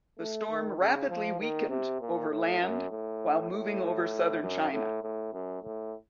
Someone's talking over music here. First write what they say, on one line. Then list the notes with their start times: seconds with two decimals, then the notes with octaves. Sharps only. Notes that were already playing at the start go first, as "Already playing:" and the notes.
The storm rapidly weakened over land while moving over southern China.
0.19 A3
0.50 D#3
0.79 C#3
1.10 F3
1.40 D#3
1.70 C3
2.01 A#2
2.30 A2
2.61 F#2
2.91 A2
3.51 A2
4.42 F#2
4.72 A2
5.03 A2
5.33 F#2
5.63 A2